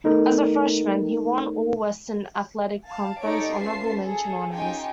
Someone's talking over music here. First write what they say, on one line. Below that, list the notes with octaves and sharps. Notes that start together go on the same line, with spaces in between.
As a freshman, he won All-Western Athletic Conference honorable mention honors.
A3 B3 D#4 A4 A#4
F5 A5
D#4 G4 A4 C#5 D5 D7
C#4 F4 B4 E5 A5 C7
G#4 A4
C#4 D#4 F4 G4 G5 G#5